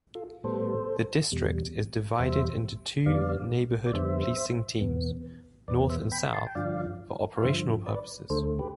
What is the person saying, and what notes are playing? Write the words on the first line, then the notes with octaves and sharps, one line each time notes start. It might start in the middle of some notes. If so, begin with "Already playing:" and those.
The district is divided into two neighbourhood policing teams-North and South-for operational purposes.
F4 A4
A2 G3 B3 A4 C5
E2 B2 G3
E2 B2 G3 C5 E5
F2 D3 G3 B3 D5 F5
D5
F2 D3 G3 B3 C5 E5
E2 B2 B3
E2 B2 B3 B4 D5
C5 E5
G5 B5
A5 C6
G5
G2 D3 F3 D5 F5
F5
G2 D3 F3 C5 E5
B4 D5
D2 D3 A3 A4 C5
G4 B4